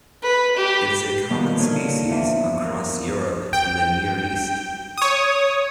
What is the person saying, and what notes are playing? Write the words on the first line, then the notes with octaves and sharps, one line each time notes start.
It is a common species across Europe and the Near East.
B4
G4
B2 D#3 F3 G3 A#3 B3
A#2 D3 D#4 C#5 F6
E2 E3 F3 B3 D4 E4
A#4
G5
C#5 D#6